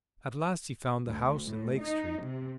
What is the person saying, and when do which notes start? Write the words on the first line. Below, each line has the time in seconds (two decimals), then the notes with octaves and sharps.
At last he found the house in Lake Street.
1.07 D2
1.47 A2
1.80 D#4
2.23 C3